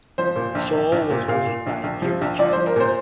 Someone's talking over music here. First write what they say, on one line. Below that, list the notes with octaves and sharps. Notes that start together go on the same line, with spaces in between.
Sol was voiced by Garry Chalk.
F3 C5
A#2
A#1
A#1
A#1
A#2
A#2 F5
A#2
A#1
A#1
F3
A#1
F3 D5
F3 C5
A#4
A#2 C5